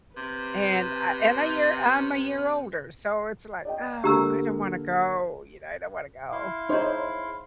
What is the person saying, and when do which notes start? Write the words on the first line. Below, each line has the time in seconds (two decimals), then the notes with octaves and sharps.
And I in a year I'm a year older, so it's, like, "Oh, I don't wanna go," you know, "I don't wanna go."
0.17 C3 B4
3.65 D5 D#5 G5
4.04 D3 A#3 G4 A#5 E6
6.32 E4 F5 C6
6.69 D#4 G#4 C5 C#5